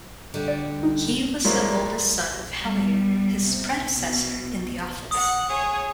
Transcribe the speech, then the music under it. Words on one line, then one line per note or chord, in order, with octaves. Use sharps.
He was the oldest son of Hellier, his predecessor in the office.
D3 G3 F#4
D5
D#4
F3 G3 G#3 A#3 E4 C#5
G3 B3
C3
B2
F#5 D#6
G#4 C#5